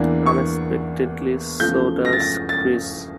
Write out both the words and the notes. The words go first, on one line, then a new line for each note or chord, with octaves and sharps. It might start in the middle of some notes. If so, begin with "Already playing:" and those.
Unexpectedly, so does Chris.
Already playing: E2 E3 A#3 D4
C#6
E2 C#3 F3 A3 G6
A#6
A6
A#6
A6